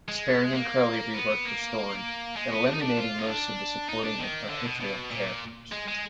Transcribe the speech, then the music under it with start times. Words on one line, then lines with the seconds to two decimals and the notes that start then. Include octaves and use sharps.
Sperring and Crowley reworked the story, eliminating most of the supporting and peripheral characters.
0.08 G#3
0.54 A#3
1.14 B3
1.45 A#3
2.37 G#3
2.52 B3
2.66 D4
2.74 D#4
2.82 D4
2.97 F4
3.19 D#4
3.28 D4
3.89 D#4
4.04 D4
4.20 D#3
4.49 D3
4.65 B2
4.81 B2
5.11 A#2
5.72 G#3
5.88 G#3